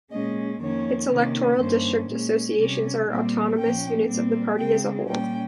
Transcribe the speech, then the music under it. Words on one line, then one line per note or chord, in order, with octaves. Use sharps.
Its Electoral District Associations are autonomous units of the party as a whole.
A#2 G#3 C#4 D#5
F2 D#3 A#3 C#4 C#5
C3 D#3 A#3 C#4
G2 D#3 A#3 C#4 C5
A#2 G#3 C#4
C3 G3 C#4
A#2 G3 C4
A#2 F3 A#3 C#4 G5
A#2 G3 C4
C#3 G#3 C4 G5
A#2 G3 C#4 G5